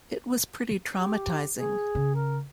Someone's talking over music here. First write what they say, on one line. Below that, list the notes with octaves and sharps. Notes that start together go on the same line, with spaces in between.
It was pretty traumatizing.
G4
G#4
C#3
A#4